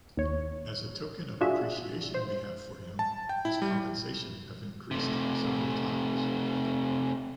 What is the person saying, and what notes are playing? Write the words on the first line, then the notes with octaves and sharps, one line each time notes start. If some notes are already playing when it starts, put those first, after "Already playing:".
As a token of appreciation we have for him, his compensation have increased several times.
D#2 C#5
D4 F4 F#4 G#4 E5
C5
A5
G5
E4
G3
C3 A3